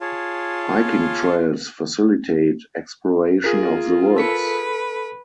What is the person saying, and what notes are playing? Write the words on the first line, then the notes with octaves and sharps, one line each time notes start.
Hiking trails facilitate exploration of the Woods.
F4 G#4 C#5 A5
F4 G#4 A#4
A4 B4 B6 C#7